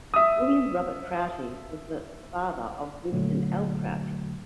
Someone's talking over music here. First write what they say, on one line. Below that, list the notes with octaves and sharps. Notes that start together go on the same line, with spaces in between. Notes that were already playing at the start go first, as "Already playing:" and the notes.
William Robert Prouty was the father of Winston L. Prouty.
E5 D#6
A#2 D3 F#3 A3